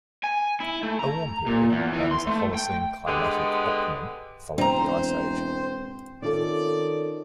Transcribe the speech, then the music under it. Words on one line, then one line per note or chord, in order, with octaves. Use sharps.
A warm period, known as the Holocene climatic optimum, followed the ice age.
G#5
E4
A3
A#5
A#2
E2
E3
C6
A3
G5
D3 G#3 B3 G4 B4
E1 C4 C5 A#5
D#3 C#4 F4 A4 D5